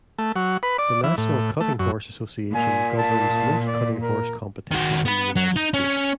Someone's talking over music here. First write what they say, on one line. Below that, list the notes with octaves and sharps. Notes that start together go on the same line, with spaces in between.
The National Cutting Horse Association governs most cutting horse competition in the United States.
A3
F#3
B4
D5
E3
A2
A3
F#2
A#2 G#5
A5
D5
A#4
D#3 F#4
B3 B4
F#3
D#4
C#4